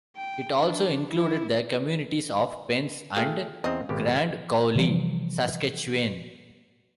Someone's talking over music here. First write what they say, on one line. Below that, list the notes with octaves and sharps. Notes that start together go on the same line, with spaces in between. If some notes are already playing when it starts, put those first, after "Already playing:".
It also included the communities of Pense and Grand Coulee, Saskatchewan.
G5
D4
E4
A3 F4 G#4 G5
E2 C#3 C4 D#5 A#5
G#1 B2 G4
C3 E3 F3 G3